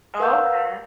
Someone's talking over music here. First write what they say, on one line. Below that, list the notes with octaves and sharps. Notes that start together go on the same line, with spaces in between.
Oh, okay.
A#4 B4 F5 F#5 E6 G6